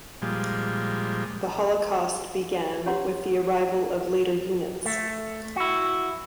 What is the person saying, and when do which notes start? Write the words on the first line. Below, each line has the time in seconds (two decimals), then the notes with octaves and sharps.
The Holocaust began with the arrival of later units.
0.22 A#2 F3 G3 G#3
2.86 C#4 G4 C#5 F#5 A#5 C6
4.85 A3
5.56 E4 F#4